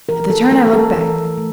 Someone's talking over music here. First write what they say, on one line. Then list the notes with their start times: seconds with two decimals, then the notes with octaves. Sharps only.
At the turn I looked back.
0.09 E3 A#4
0.30 A4
0.51 A3 A#4
0.67 A#4
0.73 A4
0.94 E3
1.38 A3